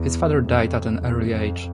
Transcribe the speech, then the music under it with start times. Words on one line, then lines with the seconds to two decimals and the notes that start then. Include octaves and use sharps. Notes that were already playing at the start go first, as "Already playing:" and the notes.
His father died at an early age.
Already playing: E2
0.45 F2
1.01 E2
1.29 F2